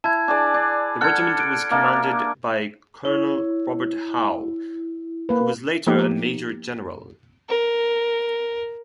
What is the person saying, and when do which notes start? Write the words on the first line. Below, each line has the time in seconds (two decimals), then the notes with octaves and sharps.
The regiment was commanded by Colonel Robert Howe, who was later a major general.
0.04 E4 A5 G#6
0.28 D4 G#4 D5
0.54 D4
1.01 A4 F#5 F6 G#6
1.40 D7
1.71 A#3 D4 E5
3.05 E4 C#5
5.29 A#3 B4
5.87 F3 A#3 B3 D#4 G4
7.49 A#4